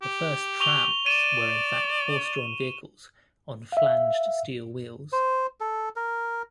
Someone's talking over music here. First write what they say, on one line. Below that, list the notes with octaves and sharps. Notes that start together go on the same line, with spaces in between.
The first "trams" were in fact horse-drawn vehicles on flanged steel wheels.
G4
C#6 F7 G7
D5 D#7 E7
E5 F5
C5
A4
A#4